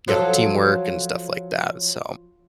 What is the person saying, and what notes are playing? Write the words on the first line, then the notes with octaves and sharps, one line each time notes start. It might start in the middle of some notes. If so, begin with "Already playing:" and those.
you know, teamwork and stuff like that, so,
F3 F#3 A4